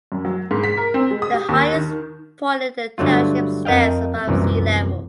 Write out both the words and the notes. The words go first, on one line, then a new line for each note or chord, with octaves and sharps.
The highest point in the township stands above sea level.
F#2
F#3
G#2
B6
A#4
C4
G#3
D#6
G4
D#2
D#3
G2 D3 F#3 A3 F4
F2 A#4 D#5 F5 G5
C2 F#2 A#2 E3